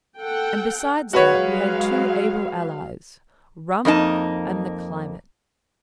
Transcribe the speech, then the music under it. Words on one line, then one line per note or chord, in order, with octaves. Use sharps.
And besides that, we had two able allies--rum and the climate.
A4 F#5 G5
F#3 G#3 F#4 B4 C#5 F5
F2 A#3 D#4 A5